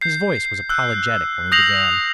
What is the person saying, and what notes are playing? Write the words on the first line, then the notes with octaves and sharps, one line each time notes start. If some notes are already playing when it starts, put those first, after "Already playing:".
His voice was apologetic when he began.
G6 C7
E6 F#6
D#6 G6 A#6 C7 F7 F#7